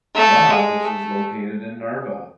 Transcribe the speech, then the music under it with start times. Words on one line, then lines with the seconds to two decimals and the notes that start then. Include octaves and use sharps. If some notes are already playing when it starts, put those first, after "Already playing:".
One office is located in Narva.
0.16 A3
0.50 G#3
0.84 A3